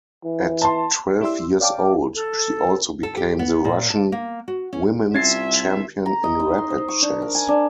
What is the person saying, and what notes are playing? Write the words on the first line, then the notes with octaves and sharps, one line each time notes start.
At twelve years old she also became the Russian women's champion in rapid chess.
E3
A5 C6
E4 G4 D5 E5 C6 E6
C#5 D5 F5 G5 A5 D6
A4
A4
G4
B3
A#2
A5
A#3
F#4
C#4
C2 C#4 F4 E5 G#6 A6 C7
A#5
D#5
D#4
C6
C5
C#6
D4
A#4
G#5
D4